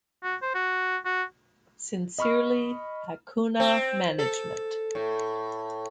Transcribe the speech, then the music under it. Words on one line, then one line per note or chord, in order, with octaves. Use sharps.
Sincerely, Accoona Management.
F#4
C5
F#4
F#4
D#5 B5 C#6 F6
C4
A4
A2